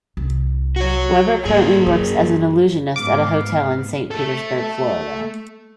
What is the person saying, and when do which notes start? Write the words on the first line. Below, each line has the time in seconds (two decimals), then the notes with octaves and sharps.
Weber currently works as an illusionist at a hotel in Saint Petersburg, Florida.
0.17 C2
0.76 F#4 C#5
1.45 G#2 D3 A#3 G#4
1.86 F#2
2.96 G#2 B3 F5 D6
4.11 A3 A4